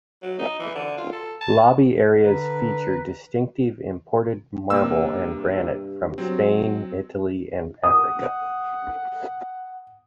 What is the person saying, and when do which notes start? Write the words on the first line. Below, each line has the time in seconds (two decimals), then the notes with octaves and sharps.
Lobby areas feature distinctive imported marble and granite from Spain, Italy and Africa.
0.23 F#3
0.39 D#4
0.60 E3
0.75 D3
0.97 F4
1.12 A4
1.41 A5
2.23 D3 A#4 B4
4.70 G2 C3 A#3 E6
6.18 F#3 C4
7.84 F#5 D#6